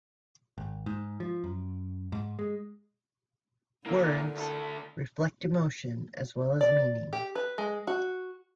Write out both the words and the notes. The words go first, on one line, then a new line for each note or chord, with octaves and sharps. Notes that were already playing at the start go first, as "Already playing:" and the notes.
Words reflect emotion as well as meaning.
G#1
G#2
F3
F#2
G#2
G#3
C2 D3 A#3 E4 A#4
D2 A4
D5
G4
B4
G#3
F#4